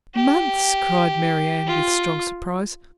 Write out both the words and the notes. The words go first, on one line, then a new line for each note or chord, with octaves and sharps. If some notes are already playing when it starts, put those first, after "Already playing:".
"Months!" cried Marianne, with strong surprise.
G4
F4